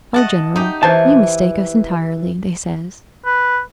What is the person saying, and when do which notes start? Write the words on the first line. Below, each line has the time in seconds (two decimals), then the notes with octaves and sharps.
"Oh, General, you mistake us entirely!" they says.
0.14 D#5 F#5 A5
0.56 D#4 G4
0.83 E3 C5 A5
3.25 B4